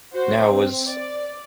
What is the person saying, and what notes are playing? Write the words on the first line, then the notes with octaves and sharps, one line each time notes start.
Now was
F#4 C5
C4
D5